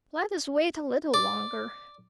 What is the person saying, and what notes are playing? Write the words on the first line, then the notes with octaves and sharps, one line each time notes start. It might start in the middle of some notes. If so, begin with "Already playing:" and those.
"Let us wait a little longer."
D5